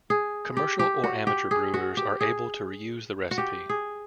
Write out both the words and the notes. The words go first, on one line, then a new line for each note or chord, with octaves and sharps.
Commercial or amateur brewers are able to reuse the recipe.
G#4
G4
G4
F#4
G4
G#4
F#4
G4
G#4
F#4
G4
G#4